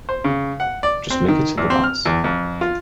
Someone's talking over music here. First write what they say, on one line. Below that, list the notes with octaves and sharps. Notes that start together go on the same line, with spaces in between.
Just make it to the Meuse.
C5
C#3
F#5
D5
C4
D#3
E2
C4
F6
E2
F2
F4